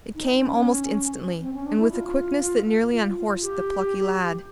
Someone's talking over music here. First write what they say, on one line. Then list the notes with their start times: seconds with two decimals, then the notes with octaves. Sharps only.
It came almost instantly, and with a quickness that nearly unhorsed the plucky lad.
0.15 D#4
0.40 C#4
1.42 C4
1.54 C#4
1.66 D4
1.78 E4
1.92 F4
2.92 F4
3.17 F4
3.42 G4